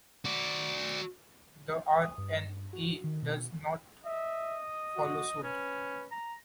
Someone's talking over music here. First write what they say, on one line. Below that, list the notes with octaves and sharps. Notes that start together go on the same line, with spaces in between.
The R and A does not follow suit.
F#4 D5
D#6
G2
F#4
D#3
B2
D#5 E5
F#4
C#4 B4
A#5